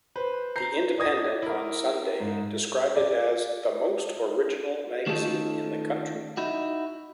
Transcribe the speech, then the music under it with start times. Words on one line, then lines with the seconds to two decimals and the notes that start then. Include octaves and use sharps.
"The Independent on Sunday" described it as "The most original magazine in the country".
0.15 B4 C5
0.56 A#5 G6 C7
0.98 D5 D#5 D#6 G#6 A#6
1.42 E4 A#4
2.20 G#2
2.96 D5
5.06 D#3 A3 C#4 D#4 F4 A4
6.37 D#4 E4 F#4